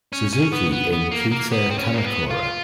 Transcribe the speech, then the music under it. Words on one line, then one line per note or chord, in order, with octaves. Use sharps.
Suzuki in Kita-Kamakura.
C#4
C#4
B3
B3
B3
A#3
A#3
B3
C4
C#4
A#3
B3
F4